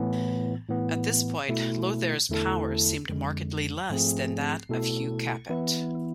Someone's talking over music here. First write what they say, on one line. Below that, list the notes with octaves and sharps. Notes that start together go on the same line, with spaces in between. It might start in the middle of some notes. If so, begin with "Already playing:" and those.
At this point Lothair's power seemed markedly less than that of Hugh Capet.
Already playing: A2 E3 B3
A2 E3 B3
B2 A3 E4
E2 D3 A3 E4 A4
F2 D3 G#3
G#2 F3 A3 C4 G#4
B2 A3 E4 A4
E3 B3 E4